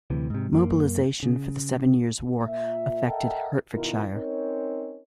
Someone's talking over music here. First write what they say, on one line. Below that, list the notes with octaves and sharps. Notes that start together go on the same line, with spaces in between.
Mobilisation for the Seven Years' War affected Hertfordshire.
D2 C3 E3
G#2 C3
F#2 A#3
C#3
A#2 E5
A4 A#4 D#5 E5 F#5 G5
B2 D#3 E4 F4 A#4
C4 C#4 D#4 A#4 C#5